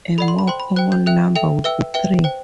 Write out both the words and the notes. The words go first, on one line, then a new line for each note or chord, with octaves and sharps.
A more common number would be three.
A4 D5 F#5 B5
C6
B5
C5 G5 C6
B5
C5 G5 F#6
G6
A4 E5 G5 F#6
A4 E5 G5
B4 E5 G5 E6
B4 E5 G5
C5 G5